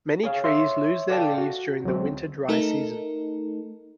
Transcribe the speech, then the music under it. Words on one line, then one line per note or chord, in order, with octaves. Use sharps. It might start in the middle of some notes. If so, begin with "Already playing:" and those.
Many trees lose their leaves during the winter dry season.
G#4 C#5 F5
C#5 E5 C6
A4 D5 F5 G5 A5
F#4
D2 F#3 G#3 C4
A3 D#4 A4 A#4